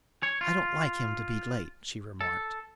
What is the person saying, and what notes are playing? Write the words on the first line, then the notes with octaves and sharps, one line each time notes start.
"I don't like him to be late," she remarked.
C#5
F4
A4